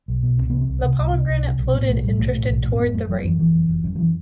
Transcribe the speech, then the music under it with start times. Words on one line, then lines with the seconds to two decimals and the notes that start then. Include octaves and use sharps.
The pomegranate floated and drifted towards the right.
0.08 B1
0.23 B2
0.37 C2 C4
0.50 C3 B3
0.61 C4
0.68 C2
0.83 C3
0.98 C2
1.13 C3
1.28 C2
1.44 C3
1.59 B1
1.73 A2 B3
1.89 B1 A3
2.04 A2 G3
2.19 B1 A3
2.33 A2
2.48 B1
2.64 A2
2.72 C4
2.80 F#1 B3
2.94 F#2 A3
3.09 F#1 F#3
3.25 F#2 E3
3.39 F#1 E3
3.54 F#2
3.69 F#1
3.84 F#2
3.95 F#3
3.99 E3